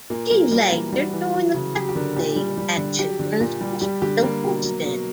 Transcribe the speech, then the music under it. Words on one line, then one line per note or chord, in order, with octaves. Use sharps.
He later joined the faculty at Children's Hospital Boston.
A#2 A#3
F#3 A#3
G3 A#3
E3 A#3
G3 F#4
E3
F#3
C#3
F#3 G4
G4
D3 A#4
A#2 G4
G3
G3
D3
F#3 G4
D3
A#2
G3
G3 G4
D3 G4
G3 A#3
B2
F#3
B2